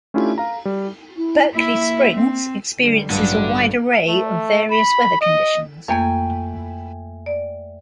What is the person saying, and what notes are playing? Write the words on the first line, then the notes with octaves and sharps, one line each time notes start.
Berkeley Springs experiences a wide array of various weather conditions.
A3 C#4 D4 E4 F4 G4
F5 A#5
G3
E4
A#3 E4 E5
C4
D3 G3
A1 G2 D3 F#3 G#3
A3
B5
D#5
F2 A3 A#3 G5 G#5
D5